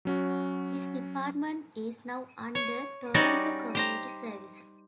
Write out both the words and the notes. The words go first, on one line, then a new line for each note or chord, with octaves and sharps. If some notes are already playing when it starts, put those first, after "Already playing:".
This department is now under Toronto Community Services.
F#3 C#4 F#4
C#5
G3 C#4 D#4 F#4 G4 D5
G4 C5 A#5